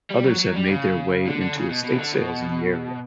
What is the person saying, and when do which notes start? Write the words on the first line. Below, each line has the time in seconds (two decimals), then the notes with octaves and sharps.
Others have made their way into estate sales in the area.
0.11 G3
0.25 F#3
0.39 F#3
0.54 G3
0.68 C#3
1.26 D3
1.41 D3
1.55 C#3
1.70 B2
1.84 B2
1.93 E3
1.99 D3
2.13 B2